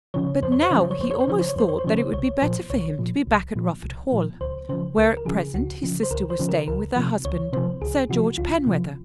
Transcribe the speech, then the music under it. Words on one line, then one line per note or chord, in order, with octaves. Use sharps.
But now he almost thought that it would be better for him to be back at Rufford Hall, where at present his sister was staying with her husband, Sir George Penwether.
C#3 F3 C#5
F2 C5
C#5
C5
C#3 F3 C#5
C5
C#5
F2 C5
C#5
C5
C#3 F3 C#5
C5
C#5
F2 C5
C#5
C5
C#3 F3 C#5
C5
C2 C#5
A#2 F3 C5
C2 C#5
A#2 F3
C2
A#2 F3
C2
A#2 F3
C#2 C5
C#3 F3 C5
C#2 A#4
A#4
C#3 F3 G#4
C#2 F#4
C#3 F3
C5
C#2 A#4
C5
C#3 F3
A#4
C#2 A#4
C3 F3
C#2 C#5
C3 F3 C5
C#2 G#4
C3 F3 F#4
C#2 F4
C3 F3